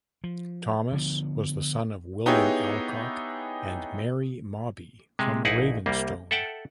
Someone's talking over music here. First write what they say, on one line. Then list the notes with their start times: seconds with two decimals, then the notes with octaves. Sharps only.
Thomas was the son of William Alcock and Mary Mawbey from Ravenstone.
0.24 F3
0.92 D3 F3 B3
2.26 B3 D#4 E4 G4 G#4 C#5
5.19 C3 G#3
5.45 A#1 D#4 E4 G#4 F#5
5.86 C2 G3 A#3
6.31 A4 E5 F#5 G5 A5